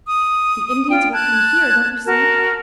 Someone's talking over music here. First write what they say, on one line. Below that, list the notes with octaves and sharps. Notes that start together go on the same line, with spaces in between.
The Indians will come HERE, don't you see?
D#6
F4 G5
A5 F#6 G#6
F#4 A#4 A5